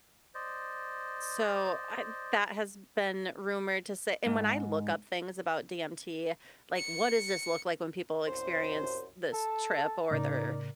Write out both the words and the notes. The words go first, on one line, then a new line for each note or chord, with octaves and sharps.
so I that has been rumored to say and when I look up things about DMT, like, what does this look like when people experience this trip or they're,
C5 D5 D#5
G#2
C#7
C2 F#2 C5
A4 A5
A2 C#3 D#4 A#4 D5